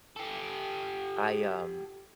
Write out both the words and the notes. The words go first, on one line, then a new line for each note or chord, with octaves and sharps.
I, um,
G4 A4